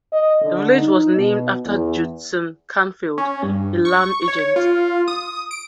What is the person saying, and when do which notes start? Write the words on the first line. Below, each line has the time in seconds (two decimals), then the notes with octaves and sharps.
The village was named after Judson Canfield, a land agent.
0.12 D#5
0.41 D3
0.77 D#4
1.17 B2
1.65 E2
3.18 C#4
3.42 G2
3.85 C#6
4.28 C#5
4.56 F4
5.08 D#6
5.51 D7